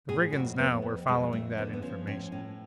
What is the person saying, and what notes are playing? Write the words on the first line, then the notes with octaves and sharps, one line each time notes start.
The brigands now were following that information.
A2 G#4
F2 F#4
F2 B3
F2
F2 G#3
F2 A3
D3 B3
B3
F3 C#4
A2 C#4
A2 C#4